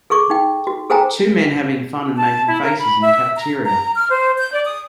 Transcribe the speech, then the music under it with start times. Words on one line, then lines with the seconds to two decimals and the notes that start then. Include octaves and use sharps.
Two men having fun and making faces in a cafeteria.
0.10 G#4 A4 C#6 D6
0.30 D#4 G5
0.67 F#4
0.90 G#4 A4 C5 G5 G#5 A#5
2.17 A5
2.45 E4
2.62 A#4
2.78 B5
3.00 E5
3.35 A#5
3.64 A#5
3.94 F6
4.10 C5
4.37 G6
4.52 D5
4.64 D#6